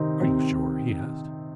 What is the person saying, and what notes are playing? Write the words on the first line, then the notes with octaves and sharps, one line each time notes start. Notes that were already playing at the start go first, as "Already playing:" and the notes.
"Are you sure?" he asked.
Already playing: C3 D#3 C4 D#4
C3 C4